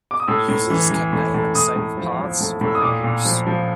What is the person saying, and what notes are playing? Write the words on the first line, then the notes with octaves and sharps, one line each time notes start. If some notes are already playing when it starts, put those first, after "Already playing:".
Users can name and save paths for reuse.
D6
D#6
A2 E6
A2
E3
E3
A2
A2
A2 D#6
A2
F3
F3
A2
A2
E6
D#6
A#2 D6
A#2
F3
F3